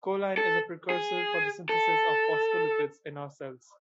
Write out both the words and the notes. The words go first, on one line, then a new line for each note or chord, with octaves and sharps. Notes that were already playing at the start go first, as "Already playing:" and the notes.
Choline is a precursor for the synthesis of phospholipids in our cells.
A4
G#4
A4